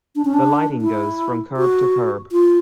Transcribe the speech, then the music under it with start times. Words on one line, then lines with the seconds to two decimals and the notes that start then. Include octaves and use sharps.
The lighting goes from curb to curb.
0.16 D4
0.25 C#4
0.34 D4
0.82 E4
1.57 F#4
2.32 F4